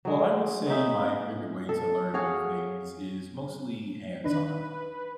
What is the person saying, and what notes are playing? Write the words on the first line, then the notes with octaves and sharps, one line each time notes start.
Well, I would say my favorite way to learn new things is mostly hands-on.
F#3 G#3
B3 C#4 D#4 E5
A4
F#4 G#4 C#5 F5
D#3 D4 D#4 B4